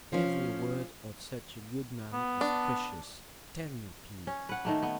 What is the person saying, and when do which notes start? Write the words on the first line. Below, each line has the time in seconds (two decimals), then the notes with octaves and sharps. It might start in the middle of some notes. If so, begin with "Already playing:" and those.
"Every word of such a good man is precious: tell me, please."
0.13 F3 C#4
2.13 B3
2.41 D4
4.27 C#4
4.49 B4 F#5
4.65 D#3 A3 A#3
4.83 B3